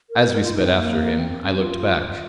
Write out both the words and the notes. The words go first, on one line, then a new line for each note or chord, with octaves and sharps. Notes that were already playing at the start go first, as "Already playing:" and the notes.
As we sped after him I looked back.
A#4
A#4
F4
D#4
C4
A#3
C4
C#4
F4